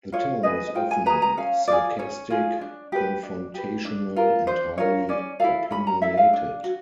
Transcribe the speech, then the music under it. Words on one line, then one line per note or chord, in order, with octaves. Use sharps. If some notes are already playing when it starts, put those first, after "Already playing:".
The tone was often sarcastic, confrontational and highly opinionated.
F4 C#5
G#4 B4 D#5
F4 G5
G#5
G#4 B4 A#5
A#5
C#4 F5
F4 G#4 D5
C#4 C#5
F4 G#4
D4
G4 B4
D4
G4 B4
D4
F4 A#4
D4 C5
F4 A#4 C#5
C#4 D5
E4 A4 F5
C#4 B5
A#5
E4 A4 E5
F5
D4
F#4